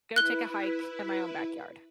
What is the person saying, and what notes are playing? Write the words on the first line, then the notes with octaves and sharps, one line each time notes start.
Go take a hike in my own backyard.
E4 B4 F#6 G7